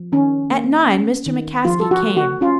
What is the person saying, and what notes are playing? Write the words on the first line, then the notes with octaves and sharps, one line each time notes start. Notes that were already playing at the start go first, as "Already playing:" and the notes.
At nine Mr. McCaskey came.
Already playing: F3
D#3 C#4
A#3
C#4
D#3
F3 F4
A4
F#4
A3
F#4
C#4 F4